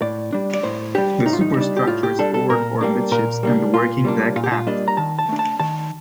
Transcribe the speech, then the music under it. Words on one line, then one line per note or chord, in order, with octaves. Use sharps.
The superstructure is forward or midships and the working deck aft.
A2 D5
G3 D4
D5
A2 C5
G3 D4 G4
A2 D#4
F4
D#4
G3 D4
G4
A2 F4
G4
G3 D4 A4
A4
A#2 A#4
G3 A#3 D4
A#2 A#4
G3 A#3 D4
A#2 F4
G3 A#3 D4
A#2 F4
G4
F4
G3 A#3 D4 D#5
A#5
D#3 A5
A5
A3 D4
A5
D#3 A5